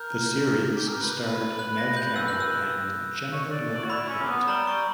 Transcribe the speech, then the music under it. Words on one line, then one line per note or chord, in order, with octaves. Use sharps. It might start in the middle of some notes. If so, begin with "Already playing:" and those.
The series starred Neve Campbell and Jennifer Love Hewitt.
Already playing: A#4 G6
G4
A#4
B4 F#6
F#6
A#6
G6
E6
F#6
E6
C#5
D5
D5
F#4
E4 B5
C#4
A#3
B3
G3 A#5
G3 C#6